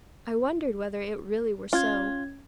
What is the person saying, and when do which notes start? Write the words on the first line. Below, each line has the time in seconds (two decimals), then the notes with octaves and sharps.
I wondered whether it really were so.
1.73 C#4 F4 G#6